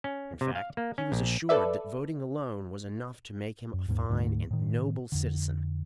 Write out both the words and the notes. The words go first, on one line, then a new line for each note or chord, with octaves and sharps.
In fact, he was assured that voting alone was enough to make him a fine and noble citizen.
C#4
C3
F5
A#3
C#4
A#1
A4 B4 D5 E5
F#2
D#2 G#2 G3 A#3
D2 G#2 D3 A3
A2 D#3
F2 D3